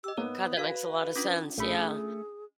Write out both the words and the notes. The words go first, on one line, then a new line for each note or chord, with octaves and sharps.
God, that makes a lottta sense, yeah.
G4 D#5 E6
G#2 A#3 B3 C#5
F#4 B4 F5
C#4 D4 F4
B1 A#2 A3 G#4 B5